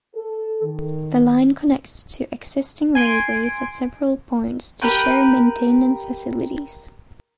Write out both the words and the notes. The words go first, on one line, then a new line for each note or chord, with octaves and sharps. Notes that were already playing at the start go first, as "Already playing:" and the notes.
The line connects to existing railways at several points to share maintenance facilities.
A4
D#3
G#5 C6 D7
G4 A#4 B4 G5